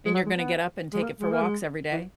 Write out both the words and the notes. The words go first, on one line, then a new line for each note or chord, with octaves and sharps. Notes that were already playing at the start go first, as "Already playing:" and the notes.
And you're gonna get up and take it for walks every day?
G#3
F#3
G#3
B3
G#3
A#3
G#3
A#3
G#3
E3